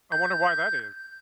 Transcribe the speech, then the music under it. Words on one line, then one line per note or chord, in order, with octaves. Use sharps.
I wonder why that is.
G6